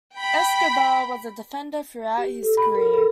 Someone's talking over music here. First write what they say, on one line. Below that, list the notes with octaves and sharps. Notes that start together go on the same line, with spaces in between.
Escobar was a defender throughout his career.
G5 B5
G4
A4
B5
A#4
A4